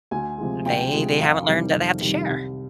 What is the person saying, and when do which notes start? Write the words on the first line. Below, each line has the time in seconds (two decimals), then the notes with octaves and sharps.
they they haven't learned that they have to share!
0.11 D2 G#5
0.38 C3 F3 G#3
0.66 D2 G5
0.94 C3 F3 G#3
1.20 F2 F5
1.48 C3 D#3 G3
1.74 F2
2.01 C3 D#3 G3
2.28 C2